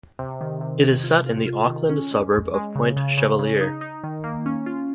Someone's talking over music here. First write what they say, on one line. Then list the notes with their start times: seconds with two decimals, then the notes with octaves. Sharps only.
It is set in the Auckland suburb of Point Chevalier.
0.19 C3
0.41 D#3
0.61 C3
0.83 C3
1.04 F4
1.26 F4
1.47 F4
1.68 D#3
1.89 C#4
2.11 G#3
2.33 G#3
2.54 G#3
2.76 C#3
2.96 C#3
3.17 C#3
3.39 C#3
3.61 D#4
3.81 D#4
4.04 D#3
4.24 A#3
4.46 C#4
4.66 F4